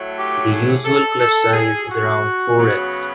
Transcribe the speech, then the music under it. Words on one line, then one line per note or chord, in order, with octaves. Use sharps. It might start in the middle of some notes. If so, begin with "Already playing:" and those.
The usual clutch size is around four eggs.
Already playing: A2 F#3 A3
G4
G#4
A4
A4
G#4
F#4
C#3 F#3 B3